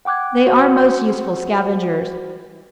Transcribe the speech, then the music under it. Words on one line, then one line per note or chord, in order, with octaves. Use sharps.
They are most useful scavengers.
F#5 G5 D6 F#6 G#6
F#4 C5 F#5